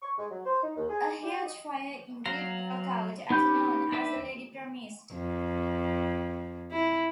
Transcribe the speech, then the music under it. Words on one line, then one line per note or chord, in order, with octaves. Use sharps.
A huge fire indeed broke out at noon as the lady promised.
C#6
G#3
F#3
C5
D#4
D#2
G#4
G4
D#5
F#3 F5 A#5
B3 C#4 D#4 G4 B5 G6
D4 B4 E5
F2
E4